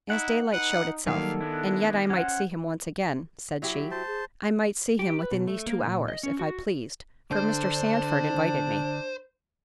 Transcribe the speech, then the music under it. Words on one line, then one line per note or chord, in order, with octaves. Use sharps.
As daylight showed itself--"And yet I might see him once again," said she--"I might see him within these two hours, if I pleased, for Mr. Sandford invited me."
D#4 E4 F#5
D#4 B4 F#5
D#3 F#3 G3 A#3 A4 F5
G#3 B3 D4 E4
C#4 C5 F#5
F#3 E4 G4
F#4 C5 A5
G#4
G4
B4
B2
A3
A#3
A#2
D#5
C#4
F#4
D3 D4 C5 G6